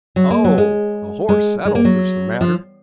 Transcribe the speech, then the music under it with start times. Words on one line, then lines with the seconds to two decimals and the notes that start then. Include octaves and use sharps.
'Oh! a horse; that alters the matter.
0.16 F#3
0.30 A#3
0.44 F#3
0.58 G#3
1.29 G#3
1.65 G#3
1.75 A#3
1.85 F#3
2.41 F3